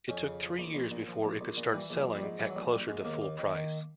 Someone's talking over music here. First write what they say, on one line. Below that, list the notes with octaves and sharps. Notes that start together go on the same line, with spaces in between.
It took three years before it could start selling at closer to full price.
F2 C#4
C#3
F3
A#1
A#1
A#2
F3
A#1
A#1
A#2
E3 G3
A#1
G3
A#1
G3
G#2
E3 F#3
F#3
A#1 G3
A#1 G3
G#2 G#3
D#2 A#3
D#2
D#3
D#3